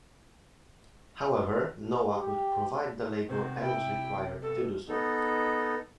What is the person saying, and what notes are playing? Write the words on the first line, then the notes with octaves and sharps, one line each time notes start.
However, Noah could provide the labor and was required to do so.
G4
C3 D#3 B3 F#4 C5
E4 G5
G2 B2 A4
B3 D#4 A4